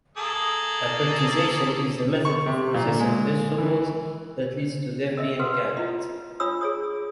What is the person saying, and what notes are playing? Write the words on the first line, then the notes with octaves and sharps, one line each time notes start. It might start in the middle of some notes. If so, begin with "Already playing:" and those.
Appertization is the method of processing vegetables that leads to them being canned.
A#3 G#4 A4
C#6
C3
A#2
G#3
E3
A#4 D#5 E5
F#4 A#4 B4 F#5 D#6
E4 F4 D#5
D4 F4 C#5 B5 D#6 E6
G#4 C#5 D#6